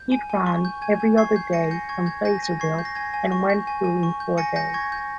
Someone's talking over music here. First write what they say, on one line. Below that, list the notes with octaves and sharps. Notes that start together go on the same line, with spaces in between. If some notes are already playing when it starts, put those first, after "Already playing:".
It ran every other day from Placerville and went through in four days.
Already playing: G6
G#5
G#5
C#6
G6
G#5 G#6
G#5
C#6 G#6 C7
G6
G#5 A#6 C#7
G#5 G6
C#6 G#6
G6 G#6
G#5 G6 A#6
G#5
C#6 G#6 C7
G6
A#6
G#5 G#6
G#5
C#6
G6
G#5
G#5
C#6
G6
G#5 A#6 C#7
G#5 G6 A#6
C#6 G#6
G6